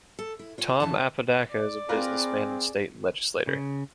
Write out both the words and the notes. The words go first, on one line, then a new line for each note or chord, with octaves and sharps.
Tom Apodaca is a businessman and state legislator.
A4
E4
F4 C#5
F2 E3 A5
D5
C4 F4 G#4 A#4 B4
C#3